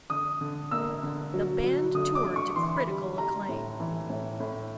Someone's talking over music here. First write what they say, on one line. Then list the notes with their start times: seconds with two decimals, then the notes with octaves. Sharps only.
The band toured to critical acclaim.
0.10 D3 D#6
0.41 D3
0.71 A#3 E6
1.03 D3
1.34 F#3
1.64 F#3
1.95 D3 D#6
2.15 D6
2.25 D3
2.36 C#6
2.56 E3 C6
2.76 B5
2.87 G3
3.18 G3 A#5
3.49 A2
3.80 E3
4.10 A2
4.40 A2